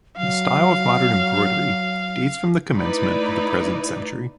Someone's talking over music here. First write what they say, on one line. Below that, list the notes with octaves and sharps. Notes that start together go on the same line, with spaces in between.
The style of modern embroidery dates from the commencement of the present century.
F#3 F5
A3 D#4 E4 B4 D5